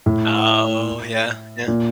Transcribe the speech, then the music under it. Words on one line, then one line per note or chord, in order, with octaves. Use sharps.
Oh, yeah. Yeah.
A2
A#2